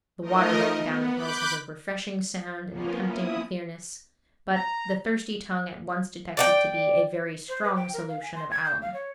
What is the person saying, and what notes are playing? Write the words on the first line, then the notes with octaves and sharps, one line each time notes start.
The water running down the hills has a refreshing sound and a tempting clearness, but the thirsty tongue at once detects it to be a very strong solution of alum.
F3 A3 D#4 A#4 D#5
B3
B5 D6 F#6 G6
F3 A#3 B3 C#4 F4
E4 D#6
A#5
D5 F#5 G5
C5
B4
G5
A#4
F5
G#5
C6
G#6
G6
F5
C#5